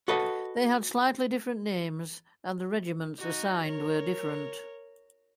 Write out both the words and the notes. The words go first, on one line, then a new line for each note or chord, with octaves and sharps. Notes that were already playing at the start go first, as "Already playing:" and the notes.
They had slightly different names and the regiments assigned were different.
F#4 A4 B4 D#5 F#5
D#4 F#4
A#4 C#5